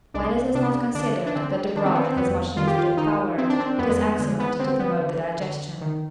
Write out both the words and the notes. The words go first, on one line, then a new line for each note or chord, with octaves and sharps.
While it is not considered that the broth has much nutritive power, it is excellent to promote the digestion.
C2 D4
C3 D4
D3 D4
D4
D3 C4
D#3 D4
C4
B3
C4
F2 B3
D#3 F4
G4
F4
D#3 D#4
D#3 C4
D4
C4
F2 B3
G#3
B3
D3 G#3
B3
D3 C4
B3
D3
D3
D#3